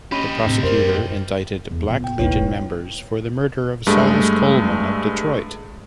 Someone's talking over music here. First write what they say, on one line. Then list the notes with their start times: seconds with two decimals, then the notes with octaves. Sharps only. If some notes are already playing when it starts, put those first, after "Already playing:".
The Prosecutor indicted Black Legion members for the murder of Silas Coleman of Detroit.
0.12 C#4 G4 D#5 B5
0.46 A2 C3
0.63 F#2 A#4 C5
1.71 E2
1.88 A#2 B3
2.04 G5
2.19 A#1 D#2 E4 B4 C#5
2.35 E1
3.87 G2 G#3 A3